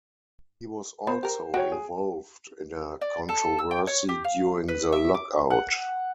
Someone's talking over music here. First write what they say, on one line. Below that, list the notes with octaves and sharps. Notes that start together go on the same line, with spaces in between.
He was also involved in a controversy during the lockout.
B3 C5
G4 A#4
F#4 C#5 G5 D7
G#4
D5
A4
E6
G5
C#5
G4
F5
B4
E5
D6
F#5